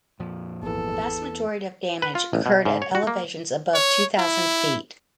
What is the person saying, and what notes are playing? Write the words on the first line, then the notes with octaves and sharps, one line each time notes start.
The vast majority of damage occurred at elevations above two thousand feet.
F2 A#2 F3
G#1 E2 E3 A4
B4
F4
A1
B2
G#2
C#5
F#4
A#3
C#5
E4